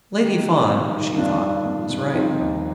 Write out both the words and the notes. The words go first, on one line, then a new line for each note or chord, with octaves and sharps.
Lady Fawn, she thought, was right.
D#3 D#4 G4
D#3
G2
D#3
G2 D4 F4
D#3
G2
G2
F3 C4 D#4
D#2